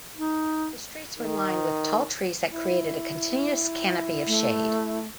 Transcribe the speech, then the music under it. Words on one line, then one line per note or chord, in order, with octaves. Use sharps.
The streets were lined with tall trees that created a continuous canopy of shade.
D#4
D#3
E4
A3